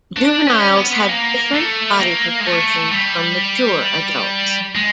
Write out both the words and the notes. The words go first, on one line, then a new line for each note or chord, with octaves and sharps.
Juveniles have different body proportions from mature adults.
D4
C#4
B3
A#3
A3
A#3
G#3
A3
G3
G#3